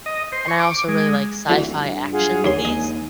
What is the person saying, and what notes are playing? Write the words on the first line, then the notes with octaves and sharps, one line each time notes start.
and I also really like sci-fi action movies.
D#5
C5
C#6
D6
G#3
D1 D3 E3 F#4
G2
F4 G#4 F#5
D#2 C#5 G#5 C6
D#2 D#5